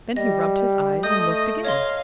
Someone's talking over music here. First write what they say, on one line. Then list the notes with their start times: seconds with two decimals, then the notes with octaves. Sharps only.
Then he rubbed his eyes and looked again.
0.16 G3 D#5
1.03 A3 D#5 D#6 G6
1.65 C#5 D#5 F5 C6